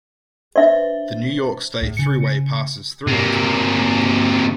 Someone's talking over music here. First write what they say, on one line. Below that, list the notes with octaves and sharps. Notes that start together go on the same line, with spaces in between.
The New York State Thruway passes through the town.
D4 B4 C5 D5 E5
C#2 A2
C#3 C#7
C3 A#3